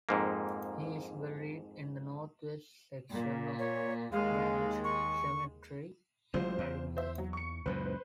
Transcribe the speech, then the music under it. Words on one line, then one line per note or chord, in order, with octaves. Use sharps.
He is buried in the north-west section of Grange Cemetery in Edinburgh.
F2 G#2 A#3
A#2
C#5
D#2 G#3 F5
C#6
A1 F#3 G#3 F4 C5
E2
C5 E5
F#3
C#6 C#7
C#2 F#2 A#2 B4 C5